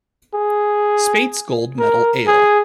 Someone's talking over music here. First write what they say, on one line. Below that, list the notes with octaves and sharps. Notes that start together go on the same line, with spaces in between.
Speights Gold Medal Ale.
G#4
A#4
G#4